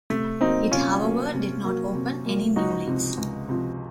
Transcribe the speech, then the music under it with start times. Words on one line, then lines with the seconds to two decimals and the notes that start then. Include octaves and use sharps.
It however did not open any new leads.
0.10 C3 A3
0.41 F#3 A#3 C4 D#4
0.72 C3 C#4 F4
1.02 F#3 A#3
1.34 C3
1.64 F#3 A#3
1.95 C3
2.25 F#3 A#3
2.56 C#2 D#4 F#4
2.87 C3 F3
3.17 C#2
3.49 C3 F3